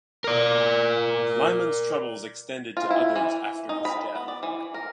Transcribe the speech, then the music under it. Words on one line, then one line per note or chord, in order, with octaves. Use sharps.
Lymon's troubles extended to others after his death.
A#4 D5
F4
E4
E3
D#4
B5
B3
D5
E3
A#4